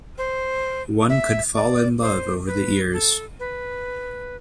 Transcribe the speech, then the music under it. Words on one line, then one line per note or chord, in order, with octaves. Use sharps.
One could fall in love over the ears.
C5
E5
D5
C5
B4
A4
B4